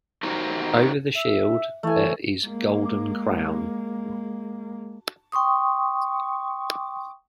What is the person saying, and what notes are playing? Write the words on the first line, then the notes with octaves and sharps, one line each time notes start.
Over the shield there is golden crown.
D#4 F#4 G4 A#4 C5
E5
E3 A3 G#5
G#3 A#3
G5 C6 C#6 D#6